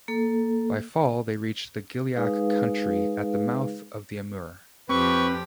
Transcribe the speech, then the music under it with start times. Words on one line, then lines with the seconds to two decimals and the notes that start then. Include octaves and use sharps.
By fall they reached the Gilyak country at the mouth of the Amur.
0.08 A#3 A4
2.16 G#3 D#4 G#4 B4 F5
4.89 F2 F3 C4 G4 B4 C#6